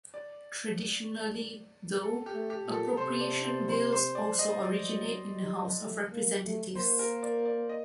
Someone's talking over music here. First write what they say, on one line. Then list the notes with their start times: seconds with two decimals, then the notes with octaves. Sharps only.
Traditionally, though, appropriation bills also originate in the House of Representatives.
0.14 D5
2.03 A4
2.26 G4
2.34 A3
2.50 G4
2.66 A#2
2.73 A4
2.97 C3 C5
3.21 D5
3.44 C5
3.69 C5
3.92 C5
4.15 D5
4.39 D#5
4.63 D5
4.86 F#3
5.33 G3
5.80 A3
6.12 A#3
6.44 A3
6.75 A#3 C5
6.99 A#4
7.23 D5
7.45 D5
7.69 D#5